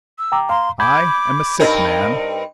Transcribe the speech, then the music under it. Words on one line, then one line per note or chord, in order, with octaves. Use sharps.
I am a sick man....
E6
G5 A#5 D6
F5 A#5 C6
B5 D6 G6 G#6
G2 C4 D#4 A#4